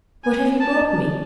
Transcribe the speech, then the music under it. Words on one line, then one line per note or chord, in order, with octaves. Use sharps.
What have you brought me?'
G#5
A5